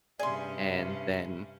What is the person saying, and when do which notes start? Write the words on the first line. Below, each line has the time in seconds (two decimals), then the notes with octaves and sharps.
and then
0.19 G2 C3 C#4 G#4 D5 E5 C6